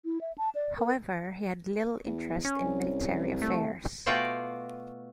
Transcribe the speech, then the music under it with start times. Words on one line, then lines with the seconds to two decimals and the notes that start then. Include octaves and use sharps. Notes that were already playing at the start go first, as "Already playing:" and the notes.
However, he had little interest in military affairs.
0.05 E4
0.21 E5
0.38 A5
0.55 D5
0.78 A#4
2.06 E2
2.45 C#4
2.63 C2
3.42 A3
4.06 B2 A3 F4 F#4 D5 G5